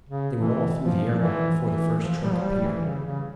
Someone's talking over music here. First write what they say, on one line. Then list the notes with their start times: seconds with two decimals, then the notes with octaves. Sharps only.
They were all through the air lock before the first truck appeared.
0.09 C#3
0.37 E3
0.79 F3
1.19 E3
1.61 E3
2.02 F3
2.22 G3
2.33 F3
2.43 G3
2.64 E3
2.84 C#3
3.05 C#3